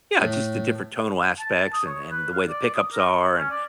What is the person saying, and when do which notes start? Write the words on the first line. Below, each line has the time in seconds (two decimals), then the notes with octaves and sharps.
Yeah, just the different tonal aspects and and the way the pickups are, and
0.20 A2
1.39 A5
1.73 D#6
1.86 C#5
2.11 B4
2.32 F5
2.48 D5
2.74 D#6
2.92 A#4
3.04 C#6
3.37 C#4
3.50 D5